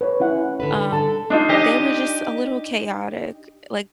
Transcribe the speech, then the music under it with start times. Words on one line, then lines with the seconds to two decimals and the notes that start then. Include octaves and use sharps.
um, they were just a little chaotic. Like
0.01 B4 C#5
0.20 C#4 E4 F#5
0.60 D3 A4 B4
0.76 D3
0.92 D3 A4 A5
1.30 D4 D#4 F4
1.49 G4 D#5